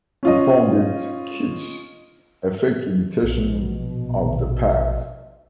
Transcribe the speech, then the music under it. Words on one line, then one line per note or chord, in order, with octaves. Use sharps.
He found it "kitsch, a fake imitation of the past".
C#4 F4 D#5
A#1 B2